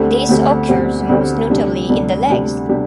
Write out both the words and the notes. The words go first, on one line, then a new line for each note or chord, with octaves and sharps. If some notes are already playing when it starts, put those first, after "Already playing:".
This occurs most notably in the legs.
Already playing: D2 D3 A3 C4 G4
D2 D3 A3 C4 G4
D2 D3 A3 C4 G4
D2 D3 A3 C4 G4
D2 C3 G3 D4 G4
D2 C3 G3 D4 G4
D2 C3 G3 D4 G4
C3 G3 D4 G4